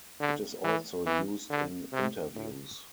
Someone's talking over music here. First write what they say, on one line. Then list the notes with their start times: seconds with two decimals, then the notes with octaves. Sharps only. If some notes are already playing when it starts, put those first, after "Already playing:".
It is also used in interviews.
0.20 D3
0.64 E3
1.06 E3
1.50 D3
1.93 C3
2.36 A2